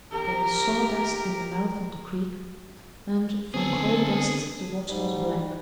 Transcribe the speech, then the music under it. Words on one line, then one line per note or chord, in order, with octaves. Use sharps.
There was sawdust in the mouth of the creek and, from coal-dust, the water was black.
G4 A#4
D3 B3 C4 G#4 A4
G#2 G3